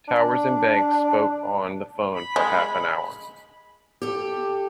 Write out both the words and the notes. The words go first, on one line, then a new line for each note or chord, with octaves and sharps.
Towers and Banks spoke on the phone for half an hour.
D4
B5
G#3
G4 A4